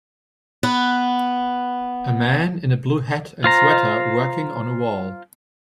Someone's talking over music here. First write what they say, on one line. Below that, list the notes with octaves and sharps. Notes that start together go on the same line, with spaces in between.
A man in a blue hat and sweater, working on a wall.
B3 B4
F4 C5 A#5